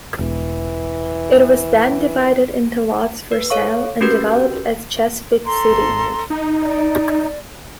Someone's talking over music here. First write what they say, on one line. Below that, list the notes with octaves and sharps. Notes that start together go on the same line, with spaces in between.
It was then divided into lots for sale and developed as Chesapeake City.
E1 E3
B4
A4 C#5 F5 C#6
C#4 F#4 G4 A#4 B4 G6
A4 A#5 C6
G#1
D#4
D5